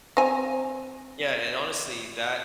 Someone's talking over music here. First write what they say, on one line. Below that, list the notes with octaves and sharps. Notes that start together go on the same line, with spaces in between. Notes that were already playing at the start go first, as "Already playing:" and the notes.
Yeah, and, honestly, that
C4 G#5